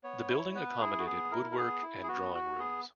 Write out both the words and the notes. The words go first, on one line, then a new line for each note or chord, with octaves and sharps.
The building accommodated woodwork and drawing rooms.
B3 C#5
E4
B3 B4
E4 G#4
F#4
B3 G#4
E4 A#4
A#4
B3 G#4
E4
G#4
B3 F#4
F#4
B3 G#4